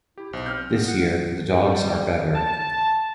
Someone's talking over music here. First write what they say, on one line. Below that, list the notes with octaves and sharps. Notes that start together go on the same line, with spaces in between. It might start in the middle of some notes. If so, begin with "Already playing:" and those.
This year, the dogs are better.
E4 G4
B1 C5
C4 F6 G6
B3
F#5
G3
A5